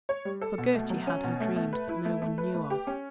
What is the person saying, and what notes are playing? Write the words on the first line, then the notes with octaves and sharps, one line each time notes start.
For Gerty had her dreams that no-one knew of.
C#5
G3
A4
B2
A3
F#3
C#4
B2
A3
A3
B4
E4
A3
A3
B4
A3
G4
C#4